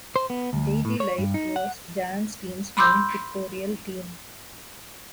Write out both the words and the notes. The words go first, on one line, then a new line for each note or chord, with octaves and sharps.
Daily life was Jan Steen's main pictorial theme.
C5
B3
D2
A2
C#5
G2
D#4
F#5
B5 C6 D6 E6 G6